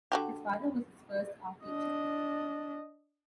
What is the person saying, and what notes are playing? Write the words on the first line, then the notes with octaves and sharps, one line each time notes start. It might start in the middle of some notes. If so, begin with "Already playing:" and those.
His father was his first art teacher.
D3 F#4 G4
D4 D#5